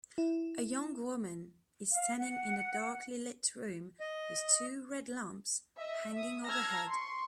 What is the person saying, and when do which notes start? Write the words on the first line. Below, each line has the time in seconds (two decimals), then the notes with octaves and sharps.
A young woman is standing in a darklylit room with two red lamps hanging overhead.
0.18 E4
1.92 F5
2.19 F#5
4.00 D#5
5.77 D#5 E5
6.13 E5 D#6
6.46 A5 A#5 E6 F6 G#6 A#6
6.88 C6 C#6